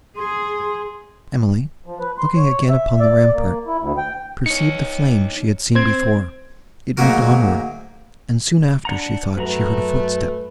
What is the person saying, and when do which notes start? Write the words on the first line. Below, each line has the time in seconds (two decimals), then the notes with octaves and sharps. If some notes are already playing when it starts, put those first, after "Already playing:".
Emily, looking again upon the rampart, perceived the flame she had seen before; it moved onward; and, soon after, she thought she heard a footstep.
0.16 G#4 C6
1.86 F3
2.00 B4
2.18 C6
2.36 C#5
2.69 E5
3.00 D5
3.33 A#3
3.67 E4
3.80 D2
3.98 G5
4.46 D#4 C#5 C#7
5.75 C4 C5 G#6
6.97 D2 G#2 F#3 A#3 F#4 A#4
8.85 D4 F#5 A#5
9.37 F#2 A3 F#4 B4 A#5